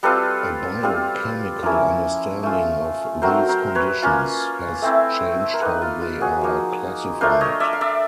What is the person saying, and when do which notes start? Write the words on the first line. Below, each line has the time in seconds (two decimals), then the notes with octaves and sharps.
A biochemical understanding of these conditions has changed how they are classified.
0.03 G3 C4 F4 A4 B4
0.83 G3 C4 F4
1.62 F3 A#3 C#4 E4
2.43 A3 C#4 F4
3.22 F#3 A3 C4 A#4 C5
3.49 A#4 C5
3.75 B4 C#5
4.02 A#3 C#4 F4
4.82 A3 C4 E4
5.54 A#4
5.61 A#3 D#4 A4 B4
5.82 F4
6.02 F4
6.21 F#4 G#4
6.41 F3 A#3 D#4
7.21 A3 D4 F4 A#4 C5
7.40 C#5 D#5
7.60 D5 E5
7.73 F5
7.81 D5 E5